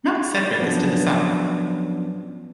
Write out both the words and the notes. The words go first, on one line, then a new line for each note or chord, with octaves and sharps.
Mount Sedgwick is to the south.
F3 F#3 B3 C#4 D4